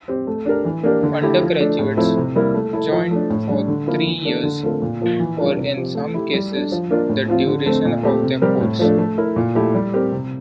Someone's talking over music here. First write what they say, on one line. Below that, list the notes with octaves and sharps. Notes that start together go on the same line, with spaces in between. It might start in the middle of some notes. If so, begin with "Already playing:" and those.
Undergraduates join for three years, or in some cases the duration of their course.
C4 G4
A3
D4 G4 A#4
E3
A#3 D4 G4 A#4
D3
A3 E4 G4
F3
A3 D4
A2
F3 A3 C4 E4
C3
G3 A#3 E4 A#4
A3
E4 A4
F3
A3 D4
A2
G3 D4
D3
F3 A#3 E4
E3
A#3 D4 A4
D3
A3 C4 F4 A#4
A#2
F3 A#3 F4
E3
G3 D4 F4 A#4
C3
F3 C4 G4
A3
E4 G4
G3
D4 A4
F3
A#3 D4 F4 A#4
A2
F3 C4 F4
D3
A3 C4
A#2
A3 C4 G4
C3
G3 C4 G4 A#4
A2
F3 A3 D4
A3
E4 A#4
A#2
A3 E4 G4
G3
C4 G4 A#4
C3